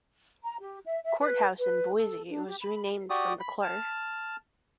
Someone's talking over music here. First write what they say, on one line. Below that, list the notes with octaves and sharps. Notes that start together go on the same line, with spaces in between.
Courthouse in Boise was renamed for McClure.
A#5
G4
E5
E5
B4
B4
A4
D4
G4
B5
F#4 G4 D5 D#6
B5
A5 F6